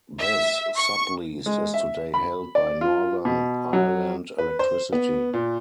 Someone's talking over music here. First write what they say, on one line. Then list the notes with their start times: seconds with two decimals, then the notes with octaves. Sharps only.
This subleased is today held by Northern Ireland Electricity.
0.18 E5
0.76 C#6
1.46 G#3
1.74 E5
2.14 B5
2.55 D5
2.81 F4
3.25 B2
3.73 F#3
4.38 B4
4.59 C5
4.93 B3
5.33 A#2